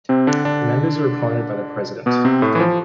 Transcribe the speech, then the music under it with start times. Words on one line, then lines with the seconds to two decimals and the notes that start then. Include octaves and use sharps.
The members are appointed by the president.
0.09 C3 C4
0.27 D3 D4
0.45 D3 D4
2.06 B2 B3
2.25 C3 C4
2.42 A2 A3
2.55 E3
2.60 F3